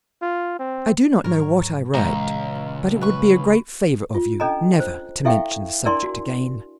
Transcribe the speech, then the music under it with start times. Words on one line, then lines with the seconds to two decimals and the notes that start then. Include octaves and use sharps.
I do not know what I write, but it would be a great favour of you never to mention the subject again.
0.22 F4
0.59 C4
1.24 G#2 F#3 A#4 C#5
1.95 C#2 A#2 E3 G#3 A#5
3.01 B4 C#6
4.15 F4
4.40 C#4 D4 A4 D#5 G#5 A#5
4.80 C5
5.25 E4 A4 E5 F5 G5 C#6
5.85 D4 E4 A#4 D5 G#5 C6
6.04 F#4